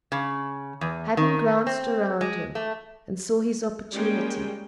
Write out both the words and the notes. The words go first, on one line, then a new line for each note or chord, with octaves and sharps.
Hadden glanced around him, and saw his opportunity.
C#3
E2
D#3
C4
G#3
A3
G3 G#3 A#3 C#4 G5